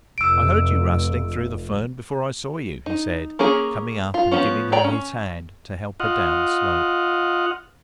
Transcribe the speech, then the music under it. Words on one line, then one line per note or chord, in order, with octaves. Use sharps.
"I heard you rustling through the fern before I saw you," he said, coming up and giving her his hand to help her down the slope.
F1 E6 D7
D#4
A#3 C#4 G#4 A#4
F4
F3 B3 C#4
C#5 D5 G5 A#5
C#4
F4 D#5 F#5